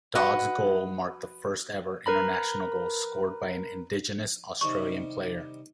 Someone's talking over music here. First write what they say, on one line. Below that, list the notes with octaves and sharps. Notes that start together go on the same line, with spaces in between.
Dodd's goal marked the first ever international goal scored by an Indigenous Australian player.
F#4 B4 D#5 F#5
A#4 B4 A#5 B5
C3 D#3 G3 C#6